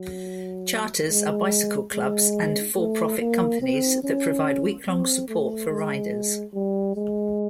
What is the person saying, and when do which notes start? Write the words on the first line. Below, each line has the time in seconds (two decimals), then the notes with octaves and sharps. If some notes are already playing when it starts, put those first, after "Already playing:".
Charters are bicycle clubs and for-profit companies that provide weeklong support for riders.
Already playing: F#3
1.09 G#3
1.93 G#3
2.77 A3
3.19 A#3
3.60 C4
4.03 C#4
4.86 C4
5.28 A3
5.69 G#3
6.54 G3
6.95 G#3